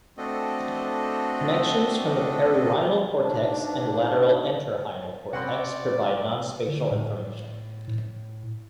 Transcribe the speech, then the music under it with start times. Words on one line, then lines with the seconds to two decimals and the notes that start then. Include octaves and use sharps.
Connections from the perirhinal cortex and lateral entorhinal cortex provide nonspatial information.
0.17 A3 C4 D4 F#4 A4 D#5
3.23 G#2 B2 D4
5.33 C3 C4 C#4 F#4 D5 F#5 B5 C6
6.68 D3
6.91 A2
7.88 A2